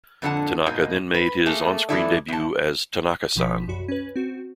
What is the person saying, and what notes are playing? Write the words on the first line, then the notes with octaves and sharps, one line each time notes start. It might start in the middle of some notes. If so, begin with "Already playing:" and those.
Tanaka then made his on-screen debut as "Tanaka-San".
F2 A#2 D3 B3 F#5 A5
G#2 B2 A#3 D#4
B4
A3 A#3 G#4 A4
E3 G#3 B3 E4 A4 D5
E2 A5
G#1 B2 F3 B5 B6
C2 F#2 F#4 B5
C#4 B4
C4 F#4